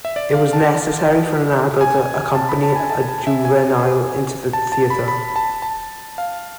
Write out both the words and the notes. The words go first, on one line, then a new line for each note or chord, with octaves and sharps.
It was necessary for an adult to accompany a juvenile into the theater.
E5
D5
F5
A5
G#5
A5
B5
A5
G#5
A5
A5
E5
G#5
A5
A5
B5
B5
A5
A5
F5